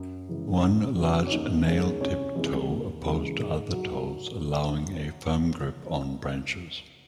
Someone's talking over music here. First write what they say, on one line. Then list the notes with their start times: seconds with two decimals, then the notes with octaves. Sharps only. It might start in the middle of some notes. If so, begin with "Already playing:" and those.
One large, nail-tipped toe opposed other toes, allowing a firm grip on branches.
Already playing: F#2
0.29 C#3 E3 G#3
0.63 F#2
0.97 C#3 F#3
1.27 C#4
1.31 D#2 D#4
1.66 D#3 G#3 C#4
2.00 C2 C#4
2.35 C3 E3 G#3 C#4
2.70 D#2
3.04 C#3 E3 G#3
3.39 G#2
3.73 F#3